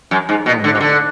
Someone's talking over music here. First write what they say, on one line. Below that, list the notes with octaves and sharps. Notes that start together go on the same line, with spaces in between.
No, no.
F#2
G#2
B2
D3
B2
D3